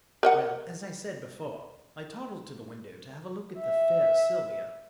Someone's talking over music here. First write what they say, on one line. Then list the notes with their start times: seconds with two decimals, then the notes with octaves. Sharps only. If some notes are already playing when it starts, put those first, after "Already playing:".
Well, as I said before, I toddled to the window to have a look at the fair Sylvia.
0.23 A#4 D#5 F#5
3.60 E5